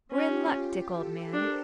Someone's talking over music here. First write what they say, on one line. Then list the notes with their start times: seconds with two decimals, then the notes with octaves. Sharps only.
We're in luck, Dick, old man.'
0.12 C#4 F4 G4
0.93 G4 A4
1.33 D4 A#4 C5